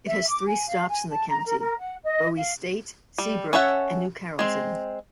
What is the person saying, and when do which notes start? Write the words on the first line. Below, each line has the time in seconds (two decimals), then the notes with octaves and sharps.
It has three stops in the county: Bowie State, Seabrook, and New Carrollton.
0.06 E5
0.27 D6
0.46 G#5
0.67 F5
0.88 G#5
1.09 A5
1.29 A#5
1.45 A#4
1.58 A#4
1.77 F#5
2.03 D#5
2.36 F5
3.18 G3
3.53 C#4 A4 C#5 E5 F#5
4.39 G#3 C4